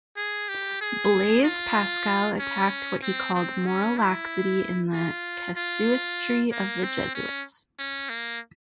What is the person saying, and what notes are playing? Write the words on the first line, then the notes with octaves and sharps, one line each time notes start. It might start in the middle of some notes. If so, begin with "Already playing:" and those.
Blaise Pascal attacked what he called moral laxity in the casuistry of the Jesuits.
G#4
G4
G#4
F4
C#4
C4
C4
C#4
E4
F4
F4
A#3
C4
C#4
C#4
A#3